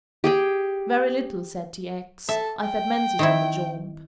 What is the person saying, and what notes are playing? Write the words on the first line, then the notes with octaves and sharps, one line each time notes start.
"Very little," said T. X. "I've had Mansus on the job."
G4 G#4 G5
A4 E5
G5
D#3 C4 E4